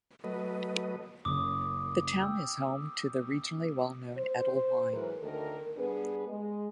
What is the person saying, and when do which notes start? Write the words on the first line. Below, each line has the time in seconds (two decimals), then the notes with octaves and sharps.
The town is home to the regionally well-known Edel Wine.
0.24 F#3 A3 B4 D#5
1.25 F#1 F#2 D6 D#6
2.23 G5 E6
4.17 C5
4.93 G#2 E3 F#3 G#4 A#4 B4
5.22 D2 D#3 A4 A#4
5.76 G2 B3 D4 G#4 B4
6.28 G#3